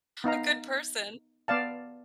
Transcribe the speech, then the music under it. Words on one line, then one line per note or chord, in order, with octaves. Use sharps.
A good person.
B3 D#4 F5 A#5
B3 D5 F5 A5